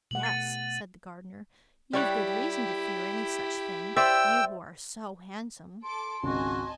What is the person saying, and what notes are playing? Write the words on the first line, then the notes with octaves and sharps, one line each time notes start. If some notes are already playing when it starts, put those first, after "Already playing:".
"Yes," said the gardener, "you've good reason to fear any such thing, you who are so handsome."
B2 A3 F#5 F#7
A6 D#7
G3 E4 G4 C#5 F#5
C5 D5 E5 G5 E6
A4 C6 D6 D7
G#1 C#2 C#3 F#4 D#5 G#5 A5